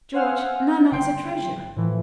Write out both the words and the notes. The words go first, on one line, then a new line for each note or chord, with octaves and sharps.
"George, Nana is a treasure."
C5 F5 F#5 G#5 E6 F6
G1 C#3 G5 C6
A2 E3 F3